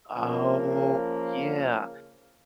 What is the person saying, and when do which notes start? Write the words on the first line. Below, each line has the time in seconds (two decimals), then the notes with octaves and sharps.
Oh, yeah.
0.14 C#3 F3 A#3